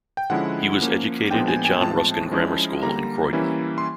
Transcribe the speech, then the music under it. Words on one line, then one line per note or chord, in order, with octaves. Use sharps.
He was educated at John Ruskin Grammar School in Croydon.
G5
D3 F3 G#3 C#4 E4 F#5
F3 A#3 C#4
A#2 F3 G#3 B3 D4 G5
G#5
G#5
A2 F3 G#3 C4 A5
F3 G#3 C#4 E4
D3 G3 A#3 A#5
E3 G3 A#3 C#4 E4
C6